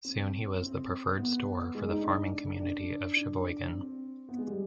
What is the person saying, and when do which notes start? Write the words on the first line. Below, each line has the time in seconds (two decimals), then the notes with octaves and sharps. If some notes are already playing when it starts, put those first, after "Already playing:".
Soon he was the preferred store for the farming community of Sheboygan.
0.05 C4
0.61 C4
1.18 B3
1.75 G#3
1.89 D#4
2.02 D4
2.59 D4
3.16 D4
3.73 C4
4.29 B3
4.38 G#3
4.47 G3